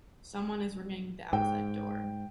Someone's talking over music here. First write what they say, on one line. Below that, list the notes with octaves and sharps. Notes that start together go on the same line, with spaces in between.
Someone is ringing the outside door.
G#2 G5